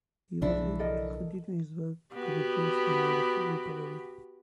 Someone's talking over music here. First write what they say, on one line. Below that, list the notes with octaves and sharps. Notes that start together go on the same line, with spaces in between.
He was able to continue his work commitments and made a full recovery.
B1 C#3 E3 F3 D4 E4
A4 A#4 D#5
B3 F#4 G4